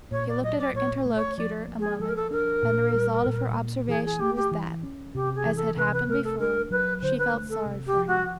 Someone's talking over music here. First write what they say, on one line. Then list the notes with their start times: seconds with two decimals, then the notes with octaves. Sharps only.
She looked at her interlocutor a moment, and the result of her observation was that--as had happened before--she felt sorry for him.
0.11 A#2 C#5
0.28 D5
0.42 F#3 D#5
0.59 D5
0.74 A#2 C#5
1.06 A3
1.16 C#5
1.37 F3 D5
1.68 A#3
1.79 G#4
2.00 F3 A4
2.08 A#4
2.16 A4
2.31 D4 A#4
2.63 A#2
2.94 G3
3.26 A#2
3.57 A#3
3.88 E3 G#4
4.05 G#4
4.19 A3 G4
4.36 G4
4.51 E3
4.83 C#4
5.14 C3 G4
5.35 G#4
5.45 E3
5.56 A4
5.76 C3 B4
5.92 B4
6.09 A3 A#4
6.24 A4
6.39 D4 A#4
6.71 F#3 B4
7.02 D3 C5
7.18 B4
7.34 A3
7.49 A4
7.66 C3
7.86 G4
7.97 F3
8.07 F#4